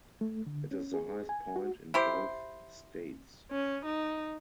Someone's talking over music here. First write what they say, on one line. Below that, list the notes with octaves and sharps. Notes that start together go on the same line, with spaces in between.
It is the highest point in both states.
A3
D3
C#4
G#4
G#5
F#4
E4 G4 C5
C#4
D#4